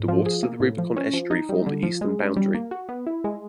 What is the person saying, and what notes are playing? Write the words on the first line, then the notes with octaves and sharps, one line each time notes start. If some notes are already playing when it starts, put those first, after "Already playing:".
The waters of the Rubicon Estuary form the eastern boundary.
Already playing: G#2
F3
G#4
A#3
A2
F3
C#4
F3
D#4
G3
D3
F3
G#3
C#4
G3
A#3
F#4
B3
E4
G#3